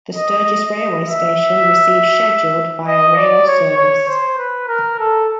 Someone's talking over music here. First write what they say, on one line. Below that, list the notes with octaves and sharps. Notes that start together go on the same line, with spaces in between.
The Sturgis railway station receives scheduled Via Rail service.
D#5
D#5
E5
D#5
D5
C#5
C#5
C5
B4
A#4
A4